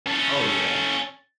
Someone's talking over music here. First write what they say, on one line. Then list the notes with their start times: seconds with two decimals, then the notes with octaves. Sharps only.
Oh, yeah.
0.06 C#4 A4